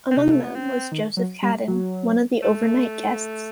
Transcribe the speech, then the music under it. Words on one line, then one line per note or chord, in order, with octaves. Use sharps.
Among them was Joseph Cadden, one of the overnight guests.
C4
C3 D#4
A3
B3
C4
D#3
F#3
G3
F#3
A3